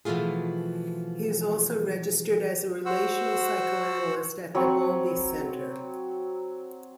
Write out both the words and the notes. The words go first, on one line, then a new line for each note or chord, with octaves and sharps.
He is also registered as a Relational Psychoanalyst at the Bowlby Centre.
B2 E3 F3 A3 F4 G#4
F#4 C5 F#5 E6
F#3 C4 B5 C#6